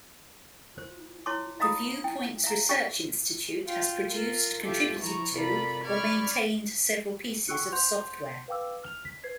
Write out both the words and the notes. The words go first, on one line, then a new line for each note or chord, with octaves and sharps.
The Viewpoints Research Institute has produced, contributed to, or maintained several pieces of software.
C5
E4 C#5 A5 C6 D6
D#4 D#5 F5 A#5 B5 D#6
E4 G5
E5 F5 A#5
C#4 G4 D#5 G5
F4 G5
F4 A#4
F4 G4 A4 E5
F3 E4 A#5 C#6
C3 F4 A4 A#4 D5 B5
D5 B5 C#6 F6 G#6
F#5 G5 C#6 E6 F#6 C#7
C5 F#5 C6 G6 F7
B4 F5 G5 D6 E6
F6 F7
B6
B4 C5 G#6 C7